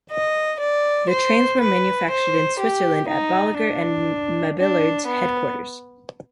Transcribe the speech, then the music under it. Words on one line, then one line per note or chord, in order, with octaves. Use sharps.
The trains were manufactured in Switzerland at Bolliger and Mabillard's headquarters.
D#5
D5
C5
B4
C5
G4
D#4
D4
D4
B3